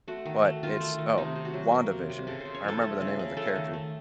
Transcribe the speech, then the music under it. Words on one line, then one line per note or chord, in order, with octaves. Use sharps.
but it's oh, WandaVision. I remember the name of the character,
A3 F#4
D#3
A3
D#3 F4
A3
D#3
C3 D#4
C3
F#4
F#3
A#3 A#4
C3
C3
C#3 A4
C#3 C5
C#5
F3 A4
A3
C#3
C#3
A3 A4
D#3
A3